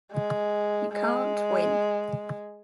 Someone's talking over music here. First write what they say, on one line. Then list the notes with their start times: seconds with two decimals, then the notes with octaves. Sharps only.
You can't win.
0.12 G#3
0.93 G#3